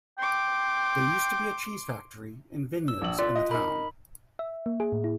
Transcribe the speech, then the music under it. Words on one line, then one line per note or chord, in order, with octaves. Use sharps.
There used to be a cheese factory and vineyards in the town.
G5 C6 D6
E6
A#1 F#7
F4 D5
D#5
D#4 A#4 B5
E5
A#3
G#4
A2
E4